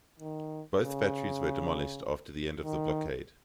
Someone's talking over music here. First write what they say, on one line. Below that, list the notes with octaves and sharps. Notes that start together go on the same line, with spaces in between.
Both batteries were demolished after the end of the blockade.
D#3
C#3
D#3